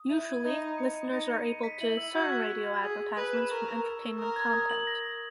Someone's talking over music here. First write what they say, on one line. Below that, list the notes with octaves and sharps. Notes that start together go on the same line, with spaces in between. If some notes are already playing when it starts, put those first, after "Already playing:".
Usually, listeners are able to discern radio advertisements from entertainment content.
Already playing: D#6
E4 D#7
G#6
D#4 B5
B5
C#7
A#5
D#4 A#6
C#7
D#7
B6
E4 F#7
E6
F#4 G#6
B6
B6
G#6
G#4 D#6
D#6
B4 D#6
E7
A#4 C#6
C#6
E6
C#6
A#4 D#6
G#6
D#6
F#7
A#6
A#6